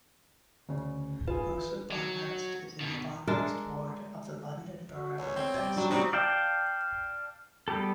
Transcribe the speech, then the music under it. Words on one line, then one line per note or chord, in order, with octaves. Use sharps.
Most of Barnehurst is in the Barnehurst ward of the London Borough of Bexley.
D2 C#3
F4 G#4 B4
F#3
B2 D#3
G#3 D4 A#4 E5
F#4
C#2 C#5
C4
G3 D5 G5
F#3 D4
C3 C4 D#4 F#4
D5 F5 G5 A5
G3 B3 G4 A4